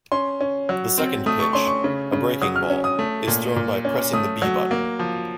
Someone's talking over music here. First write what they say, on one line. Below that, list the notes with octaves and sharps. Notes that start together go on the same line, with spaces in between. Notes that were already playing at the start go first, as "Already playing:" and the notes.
The second pitch, a breaking ball, is thrown by pressing the B button.
C#4 C6
C#4
F#3
C4
A3 D#6
C#6
C#4 C6
C#6
C#3
C#3
F#3 D#6
F6
C#4
D#6
A3
A#2
A#2
C#4
A3 D#6
F#3
A#3
F3